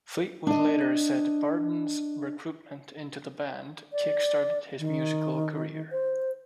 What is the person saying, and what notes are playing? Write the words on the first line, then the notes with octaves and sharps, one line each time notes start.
Fleetwood later said Barden's recruitment into the band kick-started his musical career.
D4 D#5
D5
D#3
C5